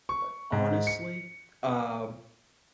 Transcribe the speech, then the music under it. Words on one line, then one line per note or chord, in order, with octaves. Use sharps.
Uh, honestly, um,
C#6
G#2
C#7